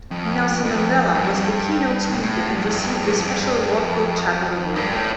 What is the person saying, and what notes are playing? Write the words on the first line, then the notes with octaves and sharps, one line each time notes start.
Nelson Mandela was the keynote speaker and received the special Rothko Chapel award.
F2
F2
G2
F2
G2
B2
A2
F2
G2
F2
A2
G2
F2
G2
F2
G2
A2